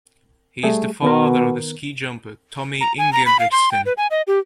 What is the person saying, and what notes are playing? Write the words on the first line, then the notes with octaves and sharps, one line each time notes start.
He is the father of the ski jumper Tommy Ingebrigtsen.
G3 A3 G#4
B2 D#3 B3 A#4
A#5
G#5
A#5
B5
F5
C6
G5
B4
G#5
D#5
G4